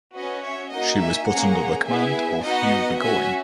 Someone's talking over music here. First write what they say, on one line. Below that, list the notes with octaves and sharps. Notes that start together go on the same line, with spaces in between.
She was put under the command of Hugh Burgoyne.
C#4 F#4 B4 D#5
C#5 E5
A#3 D#4 F#4 D#5 F#5
E5 G#5
A#3 C#4 G#4 F#5 A#5
B3 E4 G#4 E5 G#5
B3 D#4 F#4 D#5 F#5
C#4 F#4 E5 G#5